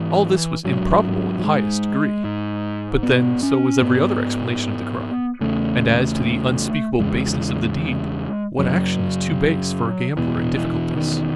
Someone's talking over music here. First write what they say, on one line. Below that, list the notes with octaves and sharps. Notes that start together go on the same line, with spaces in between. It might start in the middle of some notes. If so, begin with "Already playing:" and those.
All this was improbable in the highest degree, but then so was every other explanation of the crime; and as to the unspeakable baseness of the deed, what action is too base for a gambler in difficulties?
Already playing: G#2 E3
G#2 F#3
F#3
G#3
G#2
B3
C#4
G#2 B3
E2 C#3 A3
E2 C#3 G#3
F#2 C#3 F#3
E2 B2 E3
E3
D#3